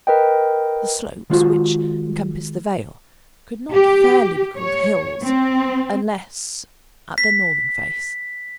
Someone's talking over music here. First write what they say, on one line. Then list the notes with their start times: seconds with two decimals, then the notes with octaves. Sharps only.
The slopes which encompassed the vale could not fairly be called hills, unless at their northern face.
0.07 A#4 B4 D#5 G5
1.30 D#3 G#3 F4 F#4 C5 F5
3.72 G4
4.57 C#5
5.22 C4
7.18 B6